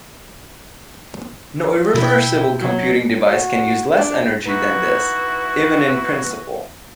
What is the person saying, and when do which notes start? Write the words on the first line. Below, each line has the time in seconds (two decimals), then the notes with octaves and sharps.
No irreversible computing device can use less energy than this, even in principle.
1.94 B2 E4 G5
2.59 F#3
3.30 F#4
3.97 D4
4.46 B3 D#4 E4 F#4